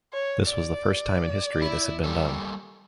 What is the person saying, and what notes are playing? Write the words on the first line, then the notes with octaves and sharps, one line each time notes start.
This was the first time in history this had been done.
C#5
D5
E4
G3 A#3 A4